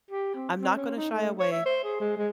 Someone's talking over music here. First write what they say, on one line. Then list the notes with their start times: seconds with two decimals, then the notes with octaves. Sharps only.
I'm not gonna shy away
0.11 G4
0.35 C4
0.62 C4
0.76 C#4
0.96 D#4
1.12 A3
1.39 C#5
1.52 E5
1.66 C5
1.84 G#4
2.00 G#3
2.17 G#3